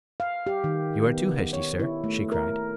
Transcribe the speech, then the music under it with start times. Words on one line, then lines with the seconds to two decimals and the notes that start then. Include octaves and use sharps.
"You are too hasty, sir," she cried.
0.20 F5
0.47 G4
0.64 D#3
1.07 B3
1.53 C#5
1.80 E4
2.04 A3
2.32 A#4